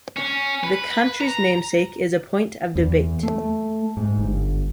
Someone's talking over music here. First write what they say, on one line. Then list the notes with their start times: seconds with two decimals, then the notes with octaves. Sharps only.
The county's namesake is a point of debate.
0.17 C#4
0.64 B4
1.21 A#5
2.75 E2
3.23 A3
3.97 G#2
4.18 G1